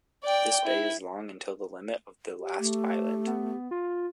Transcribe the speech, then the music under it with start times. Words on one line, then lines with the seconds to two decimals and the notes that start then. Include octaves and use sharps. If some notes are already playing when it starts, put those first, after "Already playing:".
This bay is long until the limit of the last island.
0.24 D5 G5
0.65 E4
2.37 G4
2.59 A3
3.27 B3
3.71 F4